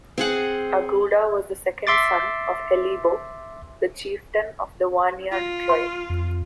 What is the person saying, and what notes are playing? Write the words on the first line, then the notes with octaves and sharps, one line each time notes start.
Aguda was the second son of Helibo, the chieftain of the Wanyan tribe.
C4 G#4 F#5
E5 C6 D6 A6
F4
C6
F2